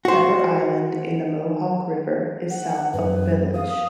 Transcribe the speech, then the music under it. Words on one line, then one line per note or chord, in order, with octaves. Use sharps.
Pepper Island in the Mohawk River is south of the village.
F#4 C5
F#5
F#2 B4
F5 D#6